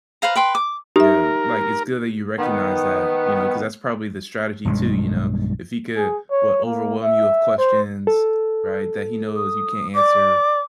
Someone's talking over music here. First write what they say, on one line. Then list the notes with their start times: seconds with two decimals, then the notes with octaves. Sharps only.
Yeah, like, it's good that you recognize that, you know, ‘cause that's probably the strategy too, you know, if he could, what, overwhelm you with questions, right, that he knows you can't answer
0.22 B4 C5 F5 A#5
0.36 B4 G5 C6
0.55 D6
0.96 D#4 G4 A#4 E5
2.38 D#3 B3
4.65 B1 G2 D#3 G#3
5.97 G#4
6.31 C#5
6.65 A#3
7.02 E5
7.58 C5
8.07 A4
9.36 D#6
9.95 D5 D6